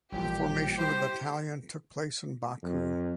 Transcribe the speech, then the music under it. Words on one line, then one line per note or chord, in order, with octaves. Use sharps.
The formation of the battalion took place in Baku.
A1 A#2 F3 G3 G4
E4 C5
F2